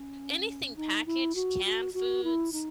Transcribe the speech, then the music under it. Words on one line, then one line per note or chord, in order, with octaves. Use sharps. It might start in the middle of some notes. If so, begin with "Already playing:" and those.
anything packaged canned foods,
Already playing: C#4
D#4
E4
F#4
F#4
F#4
E4
D#4